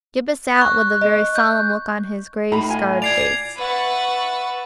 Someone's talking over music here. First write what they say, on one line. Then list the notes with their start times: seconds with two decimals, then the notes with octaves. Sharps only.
Ghibba sat with a very solemn look on his grey scarred face.
0.58 C#6 F#6
1.01 D#5
1.35 G6
2.52 A2 D#4 A#5 B5
2.70 F4 G#5
3.02 D5 G#6 C7 F7
3.56 B4 E5 F#5 C#6 A6